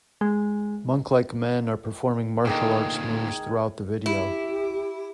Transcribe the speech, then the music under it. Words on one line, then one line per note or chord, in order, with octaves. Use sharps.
Monk-like men are performing martial arts moves throughout the video.
G#3
D2 A#2 D#3 G#4 D6
E4 G4